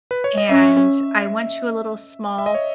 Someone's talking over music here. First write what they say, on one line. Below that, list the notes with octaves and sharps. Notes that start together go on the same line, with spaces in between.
and I went to a little small
B4
C#5
D#5
C#4 E5
E5
D#5
C#5